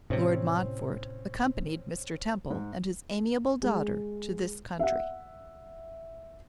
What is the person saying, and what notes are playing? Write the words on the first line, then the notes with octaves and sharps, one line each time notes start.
Lord Montfort accompanied Mr. Temple and his amiable daughter to this country.'
A2 C3 C4 C#4
G#2
G#3
E5 F#5